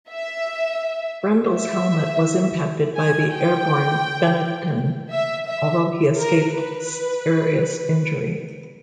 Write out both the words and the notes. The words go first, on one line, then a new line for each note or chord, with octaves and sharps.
Brundle's helmet was impacted by the airborne Benetton although he escaped serious injury.
E5
E5
G#5
G5
E5
E5
A#4
B4